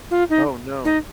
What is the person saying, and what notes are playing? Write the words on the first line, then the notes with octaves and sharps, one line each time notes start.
Oh, no.
F4
D#4
D#4